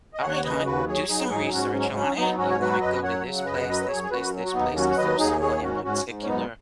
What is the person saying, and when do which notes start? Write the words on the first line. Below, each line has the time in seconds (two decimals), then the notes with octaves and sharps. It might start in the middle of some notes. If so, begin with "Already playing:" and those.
all right, hon, do some research on it. You wanna go to this place, this place, this place, is there someone in particular
0.14 D#5
0.22 D#2 C#5 F#5
0.44 C#3 B4 D#5
0.65 D#2 F#4 B4
0.87 F#3 G#4 C#5
1.08 F#3 D#4 G#4
1.24 B4
1.30 G#2 D#4 G#4
1.51 G#2 C#4 F#4
1.73 F#3 C#4
1.94 F#3 C#4
2.16 F#3 B3 D#4
2.38 G#2 C#4 F#4
2.50 C#5
2.60 F#3 F#4 B4
2.81 F#2 B4 D#5
3.03 F#3 C#5 F#5
3.25 C#3
3.37 F#5
3.45 F#2 B4 D#5
3.58 F#5
3.68 F#3 B4 D#5
3.89 F#2 G#4 C#5
4.03 G#4
4.11 F#2 F#4 B4
4.33 F#3
4.45 F#4
4.54 D#2 B3 D#4
4.76 F#3 C#4 F#4
4.91 F#5
4.97 D#2 B4 D#5
5.18 D#2 D#4 G#4
5.40 D#3 G#4 C#5
5.63 G#2 C#4 F#4
5.84 G#2 C#4 F#4
6.05 G#2
6.22 C#4
6.26 F#2 B3 D#4